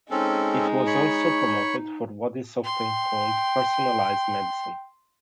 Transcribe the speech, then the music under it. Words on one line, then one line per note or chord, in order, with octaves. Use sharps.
It was also promoted for what is often called Personalized Medicine.
G#3 C4 C#4 D#4 A4
C#5 B5 C#6
G5 C6